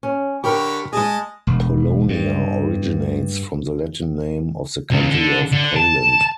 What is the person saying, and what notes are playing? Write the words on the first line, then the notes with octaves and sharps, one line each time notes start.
Polonia originates from the Latin name of the country of Poland.
C#4
D3 G4 A#4 B5 C#6
G#3 G#4 D#5 A5
E1
G2
C#2
D3
D3
A5